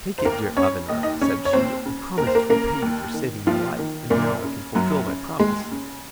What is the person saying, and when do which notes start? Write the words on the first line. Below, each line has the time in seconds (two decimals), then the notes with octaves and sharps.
"Take it, dear Avenant," said she, "I promised to repay you for saving my life, and now I can fulfil my promise."
0.18 C5
0.25 D#2 A#3 A#4
0.57 C#3 C#4 C#5
0.89 D#2 D#5
1.03 D#4 D#5
1.21 C#3 C#4 C#5
1.45 C#5
1.53 D#2 C4 C5
1.86 C#3
2.18 D#2 A#4
2.27 C5
2.35 A#3 A#4
2.50 C#3 A#3 A#4
2.82 D#2
3.14 D#3
3.46 D#2 F3 F4
3.79 D#3
4.10 F#2 A#2 A#3
4.43 C#3
4.75 F#2 F#3
5.07 C#3
5.39 D#2 G#3
5.71 C#3